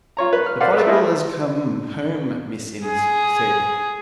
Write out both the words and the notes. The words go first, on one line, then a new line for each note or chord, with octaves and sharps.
"The prodigal has come home, Miss Innes," he said.
F4 C#5 A#5
B4
F6
B4 C5 D5 F5 F#5
B4 E5
A3 E4 G#4 A#4 C5 D#5
G#4